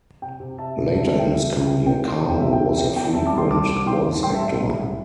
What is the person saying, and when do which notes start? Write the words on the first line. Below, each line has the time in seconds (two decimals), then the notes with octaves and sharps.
Later in his career, Carmel was a frequent voice actor.
0.22 C3 G5
0.40 C3
0.58 C3 E5 A5
0.77 E1
0.95 C2 E5 A5
1.07 E5 A5
1.14 C2
1.19 G5
1.31 E3 E5
1.50 C2 E5
1.68 C3 G5
1.86 D2 G5
2.04 D2 C6
2.19 C3 A5
2.29 G5
2.41 E2 E5
2.53 G5
2.60 E3 E5
2.77 E3 G5
2.95 E2 G5
3.13 G3 E5 A5
3.26 A5 D6
3.32 C2
3.38 G5 C6
3.51 G3 A5 D6
3.69 C2
3.76 D6
3.87 E3 G5 C6
4.06 G2
4.23 A1 G5 C6
4.35 E5 A5
4.41 A1
4.47 E5
4.59 C2
4.78 C2